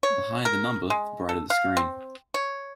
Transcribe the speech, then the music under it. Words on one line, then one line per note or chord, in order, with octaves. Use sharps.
The higher the number, the brighter the screen.
C#5
A#4
G#3
A4
F5
C4
C#5